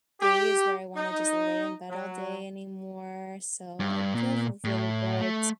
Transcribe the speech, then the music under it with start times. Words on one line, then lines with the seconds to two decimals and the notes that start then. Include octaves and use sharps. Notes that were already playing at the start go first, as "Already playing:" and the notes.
days where I wanna just lay in bed all day anymore, so it feels really good.
0.21 G4
0.96 D#4
1.90 F#3
3.80 G2
4.15 A#2
4.64 A2
5.21 A3